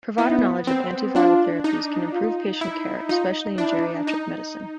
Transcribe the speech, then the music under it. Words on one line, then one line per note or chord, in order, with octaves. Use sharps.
Provider knowledge of antiviral therapies can improve patient care, especially in geriatric medicine.
B3 E4
C4
D4 F4
D#4
F4
E4
D#4 F4
D4 E4
D#4